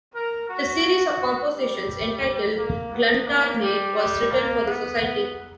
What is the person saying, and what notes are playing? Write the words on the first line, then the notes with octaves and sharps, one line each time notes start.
His series of compositions entitled "Gluntarne" was written for the society.
A#4
F#4
G3
A#3
B3
A#3
G3
G3
A#3
B3
B3